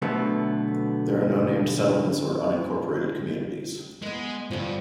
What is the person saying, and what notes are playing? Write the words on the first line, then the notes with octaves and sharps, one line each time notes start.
There are no named settlements or unincorporated communities.
B1 B2 D3 A3 B3
G#3 B3 B4
G2 D3 F3